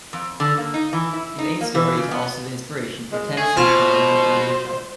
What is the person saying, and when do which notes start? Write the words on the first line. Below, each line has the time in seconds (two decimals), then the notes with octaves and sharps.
Elaine's story is also the inspiration for Tennyson's poem "The Lady of Shalott".
0.13 F2
0.40 D3
0.57 A#3
0.74 D#4
0.93 E3
1.13 E4
1.39 D#4
1.61 A#3
1.75 E3
1.97 C#3
2.11 B3
3.12 G#3
3.37 A3 G#4
3.57 B2 F4 C5